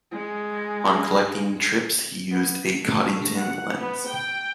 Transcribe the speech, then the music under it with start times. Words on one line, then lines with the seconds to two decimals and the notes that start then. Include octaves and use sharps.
On collecting trips he used a Coddington lens.
0.11 G#3
2.31 B3
2.83 A3
3.37 F#5
3.78 B3
4.08 G5